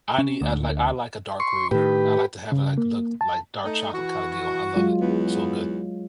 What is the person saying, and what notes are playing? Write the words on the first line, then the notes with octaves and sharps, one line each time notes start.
I need I'd like I like a dark roux. I like to have it like look like dark chocolate kinda deal. I love it. So good.
C#4
D2
C6 C#6
A2 D#3 G4 B4
C#3
A#3
A5
A3 D#4
E3 F#4
F#3 G#3 F4
E2 B3